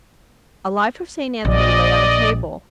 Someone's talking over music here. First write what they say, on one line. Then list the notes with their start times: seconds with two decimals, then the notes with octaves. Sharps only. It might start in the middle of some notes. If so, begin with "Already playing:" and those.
A life of St. Anthony lay on the table.
1.45 A#1 D5 D#5